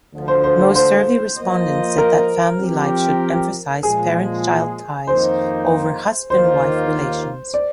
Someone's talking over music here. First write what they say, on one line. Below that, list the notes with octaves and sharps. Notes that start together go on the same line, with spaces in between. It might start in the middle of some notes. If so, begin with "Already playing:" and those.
Most survey respondents said that family life should emphasize parent-child ties over husband-wife relations.
D2 D3 F3
C5
C5
C5
C5
F3 A#3 F4 C5 D#5
A#4
F3 C4 G4 A#4
A#2 F3 G#3 G#4
F2 D#3 A#3 D#4 C5
D#2 D#3 A#3 F4 C5
D5